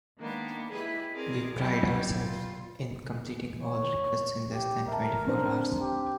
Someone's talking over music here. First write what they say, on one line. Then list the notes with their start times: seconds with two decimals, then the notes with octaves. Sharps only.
We pride ourselves in completing all requests in less than twenty four hours.
0.17 D#3 G#3 A#3 B3 D4
0.71 E4 G4 G#4 B4 D#5
1.14 C4 G#4 A#4 D5
1.55 F#3 G3 E4
2.24 F4
3.62 C#5
4.52 G4
4.88 A#4 E5 A5
5.26 C4 D4 C5
5.81 G4